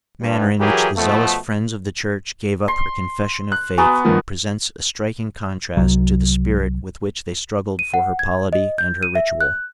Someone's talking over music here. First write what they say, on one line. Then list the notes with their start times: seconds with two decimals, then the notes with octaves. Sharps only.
The easy manner in which the zealous friends of the Church gave up her confession of faith presents a striking contrast to the spirit with which they struggled for her polity and her ritual.
0.21 G2
0.60 E3 F#3 G4 G#4 A#4
0.97 B2 F3 A3
2.68 C6
3.52 F#6
3.78 B3 F#4 G#5 A#5
4.05 G2 D#3 F3
5.77 C2 F#3
7.79 D#7
7.94 F#5
8.19 G#6
8.53 D#5
8.78 G6
9.03 D#7
9.15 E5
9.41 F#6